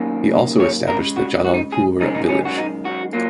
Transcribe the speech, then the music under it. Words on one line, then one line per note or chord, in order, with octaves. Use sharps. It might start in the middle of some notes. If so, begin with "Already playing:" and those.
He also established the Jalalpur village.
Already playing: F#2 D#3 A#3
C#5
C#3 G#3 A#4
F#4
F#4
D#4
G#4
F#2 D#3 G#3 D#4
D#4
C#4
F#4
D#4
F#4
A#2 F#3 A#3